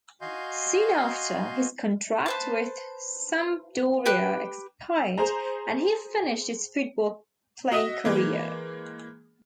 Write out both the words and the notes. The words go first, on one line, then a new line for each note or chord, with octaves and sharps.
Soon after, his contract with Sampdoria expired and he finished his football playing career.
F#4 D#5 F5 G#5 C6 G6
B4 C5 A5
G4 B4 G5 F#6
G#4 C5 A#5
F#4 D#5 E5 D#6
E3 G#3 A#3